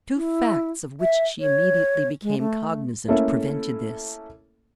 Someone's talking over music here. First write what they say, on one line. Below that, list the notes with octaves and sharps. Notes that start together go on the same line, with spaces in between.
Two facts of which she immediately became cognisant, prevented this.
E4
E5
C#5
G#3
A3
A3 A#3 C#4 E4 A4